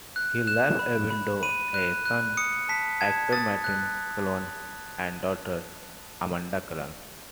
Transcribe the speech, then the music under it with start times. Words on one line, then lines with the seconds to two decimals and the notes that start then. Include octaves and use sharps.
He left a widow, a son, actor Martin Clunes, and a daughter, Amanda Clunes.
0.16 F#6
0.47 F#6 E7
0.79 B5
1.11 B5
1.43 B5 D#7
1.74 F#6
2.06 F#6
2.37 D#6 C#7
2.69 A5 B6
3.01 A5 G#6
3.33 D#6 A6
3.64 F#6